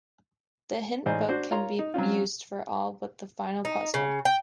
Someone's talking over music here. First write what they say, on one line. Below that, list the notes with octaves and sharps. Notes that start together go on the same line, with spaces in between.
The hint book can be used for all but the final puzzle.
A1 G#3 D#4 C5 D5 G#5
D4 F#4 C5 D5
F4 A#4 C#5 A#5 C6
D#4
F#3 C4 C#4 F4
D#4
C#3
G5